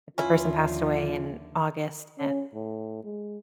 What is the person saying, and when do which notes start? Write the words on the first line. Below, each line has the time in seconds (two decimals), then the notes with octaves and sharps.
if the person passed away in August and,
0.18 D#2 D3 F3 C#4 E4 F4
2.20 C#4
2.54 A2
3.04 G#3